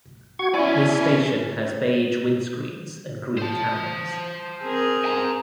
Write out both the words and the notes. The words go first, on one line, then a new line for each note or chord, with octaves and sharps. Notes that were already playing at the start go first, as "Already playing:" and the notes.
This station has beige windscreens and green canopies.
F#4 C#6 G#6
C#4 E4 D5 G#5
C5 A5
C4 G#4 A#4
G#5 A#5